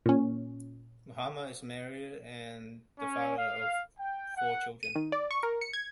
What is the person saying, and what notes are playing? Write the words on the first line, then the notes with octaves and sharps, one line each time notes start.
Mahama is married and the father of four children.
A#2 C#4
C#4
F5
G5
F#5
D#7
D#3
D5
C#6
A#4
C#7
G#6